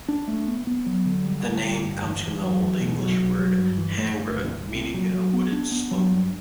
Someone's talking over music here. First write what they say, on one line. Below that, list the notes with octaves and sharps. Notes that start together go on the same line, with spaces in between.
The name comes from the Old English word "hangra", meaning a wooded slope.
D4
A3
B3
B3
F#3
D3
G3
D3
G3
G1
E2
E2
F#3
E2
B2
F#3
B1
F#3
G2
E3
A3
G1
C2
C2
C3
F#3
F#3
B3
D4
B3
F#3
G2